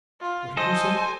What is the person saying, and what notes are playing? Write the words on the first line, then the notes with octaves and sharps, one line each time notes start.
"What did you say?"
F4
A4 C5 D#5 G#5